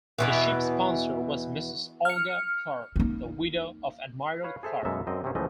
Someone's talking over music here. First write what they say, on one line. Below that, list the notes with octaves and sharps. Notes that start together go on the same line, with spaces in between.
The Ship sponsor was Mrs. Olga Clark, the widow of Admiral Clark.
E2 B2 E3
F6 C#7
A#3 D#4
B4 C#5 F5
G#4 A4 C5 E5
F#2 B2 G#3 A#3 A4 E5
F#2 C4 D#5
C3 C4 C#4
C#2 E3 F3 A3 D#5